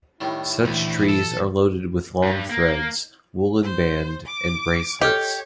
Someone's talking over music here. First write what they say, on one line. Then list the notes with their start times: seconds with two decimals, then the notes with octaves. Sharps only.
Such trees are loaded with long threads, woollen band, and bracelets.
0.21 A2 D#3 G3 E4
0.64 D2 A#2 E3
1.09 A4
2.23 G2
2.50 A#3
3.62 C5
4.26 D6
5.01 G4 A4 C#5 D#5